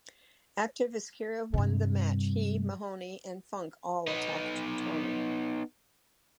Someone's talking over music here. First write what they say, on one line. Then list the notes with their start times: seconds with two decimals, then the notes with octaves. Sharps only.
After Viscera won the match, he, Mahoney, and Funk all attacked Tony.
1.54 G2 C3
4.07 B3 D#4